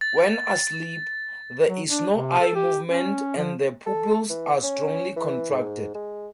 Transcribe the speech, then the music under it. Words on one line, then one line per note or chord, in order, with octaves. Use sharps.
When asleep, there is no eye movement and the pupils are strongly contracted.
A6
F#3
D4
C3
A4
G4
C#4
F3
A4
E3
C#4
E3
G#2
G#3